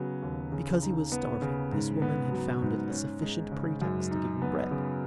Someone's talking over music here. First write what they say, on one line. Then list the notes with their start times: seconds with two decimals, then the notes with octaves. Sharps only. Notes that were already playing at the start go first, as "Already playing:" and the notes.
Because he was starving, this woman had found it a sufficient pretext to give him bread.
Already playing: C#3 F#3 B3
0.22 D#2
0.52 C#3
0.82 D#4
1.12 B3
1.42 C#3
1.72 G#2
2.02 B3
2.32 F#3
2.62 G#2
2.91 C#4
3.22 G#3
3.52 C#3
3.82 F#2
4.11 D#4
4.42 B3
4.71 C#3